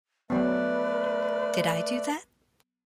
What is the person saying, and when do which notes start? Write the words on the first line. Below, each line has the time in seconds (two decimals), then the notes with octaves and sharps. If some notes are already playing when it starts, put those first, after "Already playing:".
Did I do that?
0.30 F#3 A3 B3 B4 D5